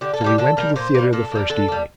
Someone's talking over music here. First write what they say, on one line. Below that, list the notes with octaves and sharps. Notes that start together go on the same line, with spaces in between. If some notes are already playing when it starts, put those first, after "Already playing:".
So we went to the theatre the first evening.
D3 G4
A4
A#3
G3 G4
D3 A4
G3 A#3 A#4
A#2 C5
G3 A#3
A#2 A4
G3 A#3
D3 A4
G3 A#3